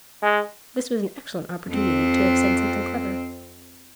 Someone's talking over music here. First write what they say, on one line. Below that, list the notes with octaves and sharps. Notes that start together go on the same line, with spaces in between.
This was an excellent opportunity to have said something clever.
G#3
F2 C4